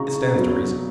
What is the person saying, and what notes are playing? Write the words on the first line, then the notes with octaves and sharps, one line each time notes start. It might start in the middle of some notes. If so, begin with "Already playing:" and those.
It stands to reason.
Already playing: C#3 A#5 C#6
F#3 B3